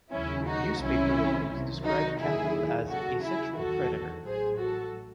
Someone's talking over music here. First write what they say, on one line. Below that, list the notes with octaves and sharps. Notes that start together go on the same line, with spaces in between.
Newspaper-reports described Capill as "a sexual predator".
D#2 C#3 F#3 C#4 E4
D#4 F#4
C2 C3 D#3 F#3 C#4 E4
C2 C3 D#3 F#3
D#4 F#4
D#2 D#3 F#3 E4 G#4
D#2 C#3 F#3 F#4 A4
E4 G#4
E2 D#3 F#3 F#4 A4
A1 A2 F#3 G#4 C5
F#4 A4